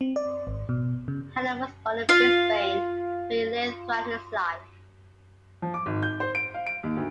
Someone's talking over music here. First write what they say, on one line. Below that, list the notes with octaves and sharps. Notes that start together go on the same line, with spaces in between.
Hanlon was born in Brisbane, where he lived throughout his life.
C4
D5
G#1
B2
C#3
F4 F5
F3
D6
G#1
G6
C5
D7
F5
D7
D#2
D2